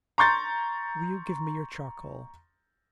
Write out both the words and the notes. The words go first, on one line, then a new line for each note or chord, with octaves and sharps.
Will you give me your charcoal?'
A#5 C6 C#6 G6 A6